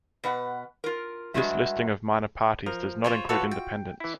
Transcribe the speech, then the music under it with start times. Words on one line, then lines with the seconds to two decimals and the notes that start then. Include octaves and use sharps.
This listing of minor parties does not include independents.
0.24 B2 B4 F#5
0.84 F4 A#4
1.34 G2 F3 F#3 G#3 F#4 E5
2.66 F3 A#4
3.04 F4 C5 C#5
3.29 F4 F#4 A4 B4 C#5 E5
3.51 G5
4.00 E3 E4